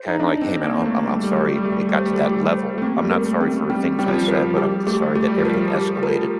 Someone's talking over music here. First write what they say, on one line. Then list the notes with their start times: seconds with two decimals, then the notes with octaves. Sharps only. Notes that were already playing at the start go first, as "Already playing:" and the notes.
kinda like, "Hey, man, I'm I'm I'm sorry it got to that level, I'm not sorry for the things I said, but I'm just sorry that everything escalated"
Already playing: C5
0.08 D#4
0.19 D4 D#5
0.42 C4
0.49 C5
0.63 A#3
0.78 C5
0.85 A3
1.07 G3 G4
1.15 A3
1.23 G3
1.31 A3
1.37 G3 G4
1.49 A3
1.56 G3
1.64 A3 G4
1.72 G3
1.81 A3
1.89 G3
1.95 A3 C5
2.06 G3
2.13 A3
2.22 G3 G4
2.53 C5
2.78 A3
2.82 A#3 C4
2.97 G3
3.04 A3
3.11 A#4
3.25 A3
3.41 C4
3.48 A3
3.70 G3 C4
3.99 G3 C4
4.08 F3
4.18 G3
4.28 F3 A#4
4.50 F3
4.57 G3 G4
4.87 A3 G4
5.15 A3 G4
5.27 G3
5.38 F3
5.45 G3 A#4
5.74 G4
6.03 A#4